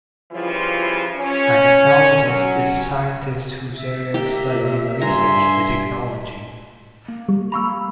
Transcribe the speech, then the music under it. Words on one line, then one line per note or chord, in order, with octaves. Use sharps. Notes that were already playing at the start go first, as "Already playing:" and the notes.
An ichnologist is a scientist whose area of study and research is ichnology.
C#3 E3 F3 G3 F4
C#4
F#3 C#4
E5
A#3 G4
A#2
G2 E5 G#5 A#5 C6
A#3
G3
A#3 F5 A#5 B5 C#6 E6